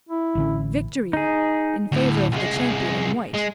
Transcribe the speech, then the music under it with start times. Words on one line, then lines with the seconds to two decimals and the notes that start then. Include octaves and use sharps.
Victory! in favour of the Champion in white.
0.09 E4
0.35 A1 D3 C#4
1.13 D#4 G#4
1.92 D2 A2
2.32 C2 G#3
3.34 G#3